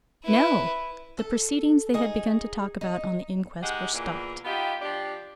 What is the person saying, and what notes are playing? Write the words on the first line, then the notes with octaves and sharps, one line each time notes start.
'No! the proceedings they had begun to talk about on the inquest were stopped.
E4 B4
A4
D#4 G#4
D#4
G#3 D#4 G4 F#5
E2 A#2 E3 A#3 B3
B3 D#4 F4 G4
F3 D4 G4